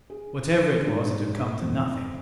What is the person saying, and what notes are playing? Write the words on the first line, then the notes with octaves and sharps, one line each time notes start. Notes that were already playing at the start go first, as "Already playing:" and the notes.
Whatever it was, it had come to nothing.
G#4
G#2
G#2
F2